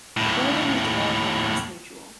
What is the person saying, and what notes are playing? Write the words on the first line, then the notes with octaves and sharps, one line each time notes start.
The building was developed by Mass Mutual.
D#2 A2